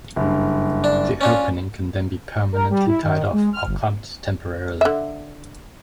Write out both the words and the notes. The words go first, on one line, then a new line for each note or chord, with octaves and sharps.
The opening can then be permanently tied off or clamped temporarily.
F#1 G2
D4
C#4 D4 F4
A#4
G3
E4
D#3
G#3
F6
G1
D3 E5